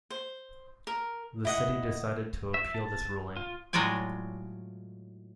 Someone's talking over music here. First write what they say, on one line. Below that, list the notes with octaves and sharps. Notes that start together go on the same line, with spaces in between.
The City decided to appeal this ruling.
C5
A#4
E4 D#5 F#5
E5
A5
F4
A2 F#3 G#3 F4 D5 G#5